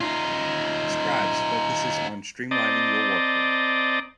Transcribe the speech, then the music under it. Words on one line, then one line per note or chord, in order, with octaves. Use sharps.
Scribes focuses on streamlining your workflow.
D#4 F4
C4 D5 D#5 A5 A#5